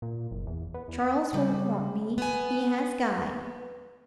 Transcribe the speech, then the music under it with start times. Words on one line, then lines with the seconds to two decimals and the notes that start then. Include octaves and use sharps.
Charles won't want me, he has Guy.
0.02 A#2
0.31 F#1
0.46 E2
0.74 B3
0.88 E2
1.33 C#3 G3
2.18 B3 G#5